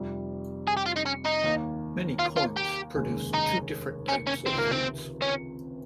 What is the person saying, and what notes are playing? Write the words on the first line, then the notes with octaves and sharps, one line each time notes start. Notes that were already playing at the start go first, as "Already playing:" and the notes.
Many corms produce two different types of roots.
Already playing: F1 F2 C3 G3
G#4
G4
F4
D#4
C#4
D#4
D#2 D#3 A#3
F4
F4
G4
F1 D#2 C#3 G#3
D#4
C#4
C#4
C#2 C3 D#3 C4
A#3
C4
C#4